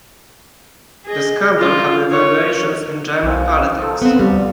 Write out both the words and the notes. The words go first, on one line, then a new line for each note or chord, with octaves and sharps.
The scandal had reverberations in German politics.
G#4 D#5
F4
C#5
B1 G#3 C4 F5
D#4 F4 A4
B3 C4
D2 G3